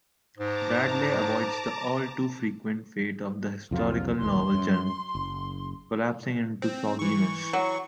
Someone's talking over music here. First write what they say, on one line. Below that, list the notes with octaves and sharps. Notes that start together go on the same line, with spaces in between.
Bradley avoids the all-too-frequent fate of the historical-novel genre: collapsing into a soggy mess.
G#2 A5 A#5 D6
C2 F2 F#3 F4
E1 A#1 D#2 C6
F#2
F#1
C4
E3 C#6
F#3